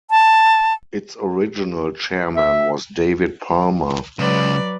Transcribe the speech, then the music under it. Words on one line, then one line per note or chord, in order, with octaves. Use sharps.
Its original chairman was David Palmer.
A5
E5
C#2 C#3 F#3 B4 D5